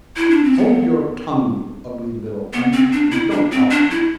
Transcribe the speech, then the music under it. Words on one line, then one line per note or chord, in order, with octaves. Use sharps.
'Hold your tongue, you ugly little thing, and don't talk to me.
E4
D4
C4
B3
B3
C4
D4
E4
D4
C4
D4
E4